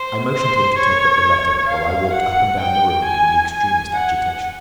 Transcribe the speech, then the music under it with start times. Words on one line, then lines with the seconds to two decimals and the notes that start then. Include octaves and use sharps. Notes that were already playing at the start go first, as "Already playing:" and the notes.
I motioned him to take up the letter, while I walked up and down the room in the extremest agitation.
Already playing: C5
0.31 C5
0.78 C#5
1.68 F5
2.13 F#5
2.60 G5
3.04 G#5
3.50 G#5
3.95 F#5